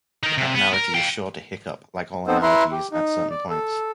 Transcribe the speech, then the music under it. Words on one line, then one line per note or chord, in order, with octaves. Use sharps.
But that analogy is sure to hiccup, like all analogies, at certain points.
D#4 A#4
C3
B3
A#4
F5 G5
B3 C4 D#4 A4 C5
E4 B4 A#5 C6
G4
D#4
D5
A4